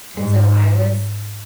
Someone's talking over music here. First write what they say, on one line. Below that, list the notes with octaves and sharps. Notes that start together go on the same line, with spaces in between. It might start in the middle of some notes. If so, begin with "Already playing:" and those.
and so I was,
G#2